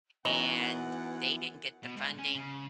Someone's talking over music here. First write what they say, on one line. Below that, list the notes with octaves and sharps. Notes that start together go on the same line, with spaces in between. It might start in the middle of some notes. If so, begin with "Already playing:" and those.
and they didn't get the funding,
F#2 E3 B3 D#4 C#5 D#5 F#5 A#5
B2
G#2
C#4
C#3